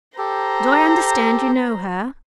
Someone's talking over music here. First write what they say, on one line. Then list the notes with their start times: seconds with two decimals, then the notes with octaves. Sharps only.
"Do I understand you know her?"
0.18 G4 A4 C5 A#5